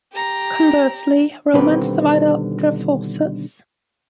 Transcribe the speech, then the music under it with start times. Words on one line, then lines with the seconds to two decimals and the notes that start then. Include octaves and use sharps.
Conversely, Romans divide up their forces.
0.13 G4 A#5
1.54 B2 D3 D#3 G3 C4 B4